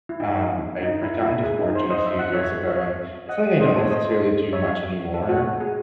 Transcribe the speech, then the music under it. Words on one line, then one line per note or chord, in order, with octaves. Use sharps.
um, I I got into foraging a few years ago, and it's something I don't necessarily do much anymore,
E4
D#4
D#4
E4
E4
G#4
D#4
C5
C5 D#5
E5
F#5
C#5 E5
C#5 E5
D#5 F#5
C5 D#5
A4 C#5
C5 D#5
C#5 E5
A4
F#4
G#4